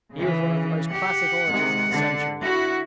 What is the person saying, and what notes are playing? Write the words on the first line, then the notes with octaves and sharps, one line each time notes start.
He was one of the most classic orators of the century.
C#3 E3
G4 F#5
C3 D#3 G#3
D3
E4 F#4